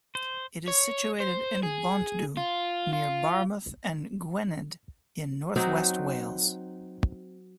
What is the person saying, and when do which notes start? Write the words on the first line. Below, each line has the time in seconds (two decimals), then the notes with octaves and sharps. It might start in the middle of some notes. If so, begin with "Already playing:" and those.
It is situated in Bontddu, near Barmouth in Gwynedd in north-west Wales.
0.15 C5
0.68 C#5
1.20 C5
1.63 G#4
2.37 F4
2.93 F4
5.56 F#3 C4 D#4 F#4